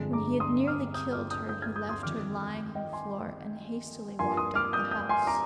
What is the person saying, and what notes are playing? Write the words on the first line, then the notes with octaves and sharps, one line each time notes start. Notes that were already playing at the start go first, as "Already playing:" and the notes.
When he had nearly killed her he left her lying on the floor, and hastily walked out of the house.
Already playing: G1 F2 D3 G#3
A#5 D6
C6 D#6
D6 F6
D#6 G6
D6 F6
D#6 G6
D#6 G6
F6 G#6
D#6 G6
C6 D#6
F2 D#3 G3 D6 F6
D#5 G5
G#5 C6
G2 F3 A#3 G#5 C6
C6 D#6
D6 F6
D#6 G6
D#6 G6
G#5 C6
A#5 D6